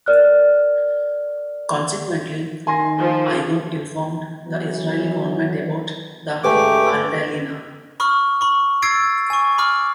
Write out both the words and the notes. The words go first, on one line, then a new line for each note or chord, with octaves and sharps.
Consequently, Irgun informed the Israeli government about the "Altalena".
A#4 D5 F6 F#6
D#3 G#5 C6 A#6
F3
E3 F#3 B3
G2 C#3 G#3 A3 G4 B4 G#5 D6
B5 C#6 D#6 F6
B5 C#6
E6 G#6 A6 C7 D7
G#5 C#6
B5 D6 F6